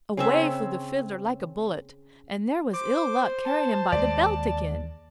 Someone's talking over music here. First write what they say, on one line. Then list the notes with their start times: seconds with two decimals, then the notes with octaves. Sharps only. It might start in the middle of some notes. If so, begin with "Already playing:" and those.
Away flew the Fiddler like a bullet, and there was Ill-Luck carrying him by the belt again.
0.17 C#3 C4 E5
2.73 C5 D6
3.45 A5
3.92 D#2 G#3 D5